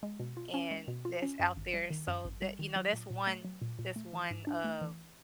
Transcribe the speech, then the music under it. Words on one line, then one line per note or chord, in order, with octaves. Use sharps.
and that's out there, so, that you know, that's one that's one, of
G#3
B2
F4
C#4
G#3
B2
F4
C#4
F#2
G#1
G3
D#3
F#2
G#1
G3
D#3
F#3
A#2
A#2
A3
F#3
A#2
A#2
A3
E3
G#2
D4
A3
E3